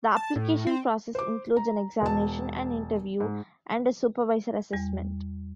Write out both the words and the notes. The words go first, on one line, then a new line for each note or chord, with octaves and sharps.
The application process includes an examination, an interview, and a supervisor assessment.
A5
A2
C4
C5 D6
A#5
E1 A5
G#2
E2 G3